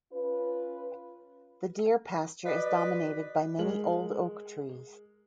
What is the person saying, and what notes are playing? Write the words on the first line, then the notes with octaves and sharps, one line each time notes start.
The deer pasture is dominated by many old oak trees.
C#4 F4 B4
F#4 B4 D5 D#5
G#3 A#4 F#7